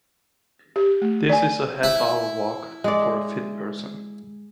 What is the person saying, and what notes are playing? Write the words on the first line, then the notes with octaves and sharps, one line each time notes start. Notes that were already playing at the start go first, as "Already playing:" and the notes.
This is a half-hour walk for a fit person.
G4
A3
D5 G#5
E4
G#3 D5